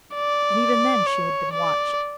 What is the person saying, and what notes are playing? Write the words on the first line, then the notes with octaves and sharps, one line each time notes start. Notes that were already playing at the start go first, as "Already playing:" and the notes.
And even then she had been watched.
D5
C#5
D5